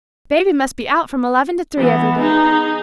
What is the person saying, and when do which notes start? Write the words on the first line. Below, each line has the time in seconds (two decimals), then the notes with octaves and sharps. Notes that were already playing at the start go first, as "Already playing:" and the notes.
Baby must be out from eleven to three every day.
1.77 E3 B3
2.21 D#4 G#4